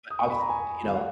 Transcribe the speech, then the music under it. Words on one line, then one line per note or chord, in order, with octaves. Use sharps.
but obviously, you know,
D#6
C#6
B5
A#5
G#5
F5
F#5